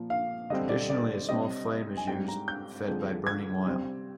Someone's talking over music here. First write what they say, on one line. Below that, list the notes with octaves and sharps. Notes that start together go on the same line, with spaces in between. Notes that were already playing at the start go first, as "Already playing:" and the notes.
Traditionally a small flame is used, fed by burning oil.
Already playing: A#2 F3 A#3
F5
D3 G3 C4 D#5
D5
D5
C3 G3 C4 D#5
G#5
G#2 G3 C4 G5
A#5
G6
D3 F3 G#3 C4
G#6
C3 G3 C4